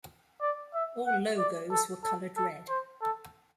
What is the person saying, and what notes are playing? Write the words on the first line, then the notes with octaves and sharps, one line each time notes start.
All logos were colored red.
D5
E5
F#5
D5
A4
A4
A4
C5
A4